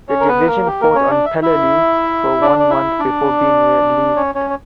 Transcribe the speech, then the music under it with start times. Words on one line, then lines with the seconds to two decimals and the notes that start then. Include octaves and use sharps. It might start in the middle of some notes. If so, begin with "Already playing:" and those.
The division fought on Peleliu for one month before being relieved.
0.08 C#4 C#5
0.20 A#4
0.28 B3 B4
0.47 A#3 A#4
0.66 G4
0.81 A#3 A#4
0.95 C#4 C#5
1.10 D4 D5
1.25 E5
1.42 E4 E5
2.41 D4 D5
2.59 D5
2.70 E4 E5
2.99 D4 D5
4.16 C#4 C#5
4.35 C#4 C#5
4.50 C#5